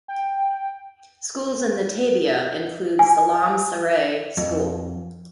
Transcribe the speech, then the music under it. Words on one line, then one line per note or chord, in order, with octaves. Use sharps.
Schools in the "tabia" include Selam Seret school.
G5
G#5
F2